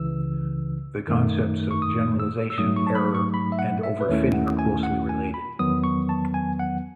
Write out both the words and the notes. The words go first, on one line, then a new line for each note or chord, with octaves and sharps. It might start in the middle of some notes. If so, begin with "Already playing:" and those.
The concepts of generalization error and overfitting are closely related.
Already playing: C#2 C#3 E3 E6
F#2 D#3 A3 D#4
C#6
D#6
E6
E6
G#2 F#3 A3 D#4 D#6
C#6
A5
B5
C#6
B5
E5
F#5
E5
B4
D#2 D#3 A3 C#4 E4 C#5
F#5
G#5
F#5
G#5
B5
E2 D#3 F#3 B3 D#6
C#6
A5
G#5
F#5